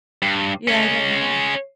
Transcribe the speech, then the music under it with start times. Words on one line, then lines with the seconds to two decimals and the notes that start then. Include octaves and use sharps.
Yeah, I don't know.
0.22 G2
0.68 G#3 C#4